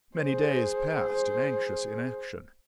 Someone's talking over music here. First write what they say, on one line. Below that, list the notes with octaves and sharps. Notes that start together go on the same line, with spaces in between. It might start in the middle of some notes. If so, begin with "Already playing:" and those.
Many days passed in anxious inaction.
G#4 C5